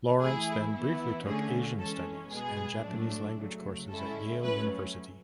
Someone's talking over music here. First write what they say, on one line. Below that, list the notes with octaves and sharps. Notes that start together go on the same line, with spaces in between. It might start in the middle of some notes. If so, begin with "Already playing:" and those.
Lawrence then briefly took Asian studies and Japanese language courses at Yale University.
E3 A3 E4 G#4
E3 B3 E4
D3 A3 C#4 G#4
E3 G#3 C#4 A4
B2 G#3 B3 G#4
A2 F#3 A3 D4
C#3 F#3 A3
D3 G#3 C#4 E4 A4
F#3 A3 C#4 B4